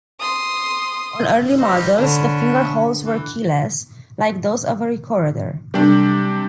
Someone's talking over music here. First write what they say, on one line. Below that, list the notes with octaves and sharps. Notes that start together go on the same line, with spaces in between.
On early models, the fingerholes were keyless, like those of a recorder.
C6 D#6
G3 D#4 G4 C5
D3 C#4 D4 A#5 B5
E3
C3 G3 D4